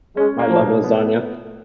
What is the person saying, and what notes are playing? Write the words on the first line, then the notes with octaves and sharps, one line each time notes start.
I love lasagna,
G#3 C#4
A#3
F3
B2
B3